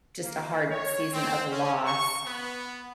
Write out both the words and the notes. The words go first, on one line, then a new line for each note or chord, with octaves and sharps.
just a hard season of loss,
A#3
C#5
C4
C#4
C#6
B3